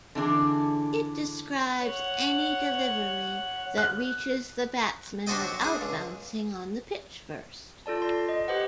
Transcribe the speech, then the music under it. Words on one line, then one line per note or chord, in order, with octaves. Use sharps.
It describes any delivery that reaches the batsman without bouncing on the pitch first.
D3 E3 D4 G#4
C#5 F#5
F#6
D4 F#4 C5 D5 D#5 G5
F#3
D4 G#4
C#2
F4 A4 D5 A5
C6
D#5
G4 B4 C5 D#5 F#5